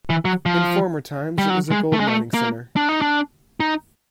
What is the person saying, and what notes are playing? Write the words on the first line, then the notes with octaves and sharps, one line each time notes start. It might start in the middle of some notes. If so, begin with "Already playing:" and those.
In former times it was a gold mining centre.
E3
F#3
F3
G3
F#3
G#3
A3
G#3
A3
A#3
D4
D#4
D4
D#4